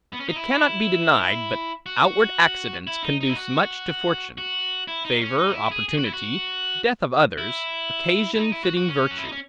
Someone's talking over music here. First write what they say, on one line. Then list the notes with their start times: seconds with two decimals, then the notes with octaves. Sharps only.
IT CANNOT be denied, but outward accidents conduce much to fortune; favor, opportunity, death of others, occasion fitting virtue.
0.13 B3
0.20 C#4
0.29 D#4
0.36 E4
1.86 F#4
2.87 E4
3.03 D#4
3.21 D#4
3.29 E4
3.36 F#4
4.38 F#4
4.88 E4
5.05 D#4
5.21 C#4
5.38 D#4
5.47 F#4
5.54 E4
5.71 G#4
5.88 G#4
5.97 F#4
6.05 E4
6.13 F#4
7.38 E4
8.35 E4
8.38 D#4
8.52 E4
8.64 F#4
8.77 F#4
8.89 C#4
9.11 F#4
9.18 E4
9.24 D#4
9.32 C#4